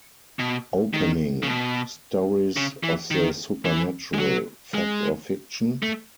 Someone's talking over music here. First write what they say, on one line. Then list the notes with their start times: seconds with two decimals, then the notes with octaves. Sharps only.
Opening: Stories of the supernatural: fact or fiction?
0.39 B2
0.93 D#3
1.43 C#3
1.48 B2
2.57 C#3
2.83 E3
3.11 D#3
3.65 E3
4.14 G#3
4.19 F#3
4.74 G#3
5.83 A3